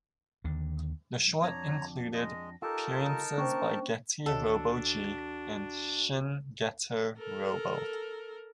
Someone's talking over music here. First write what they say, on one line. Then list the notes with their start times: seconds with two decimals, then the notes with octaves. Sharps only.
The short included appearances by Getter Robo G and Shin Getter Robo.
0.44 D#2 D3
1.43 F2 D4 C#5 A#5
2.14 G#3 D#5 A#6
2.62 D#4 F4 G4 A4 A#4 A5 E6
3.38 A#3 C#4 D4 C5 G5 C#6
4.26 D2 D#3 D4 F#4 A4 C#5
7.18 A4 A#4